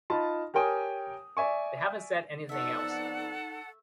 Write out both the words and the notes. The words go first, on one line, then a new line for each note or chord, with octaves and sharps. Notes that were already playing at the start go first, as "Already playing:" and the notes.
They haven’t said anything else.
D#4 F4 A5 B5
G4 A#4 C#5 G5 G#5 D#6
D5 E5 G#5 C#6
F2 A3 B3 D#4 A4 D5 E5 F#5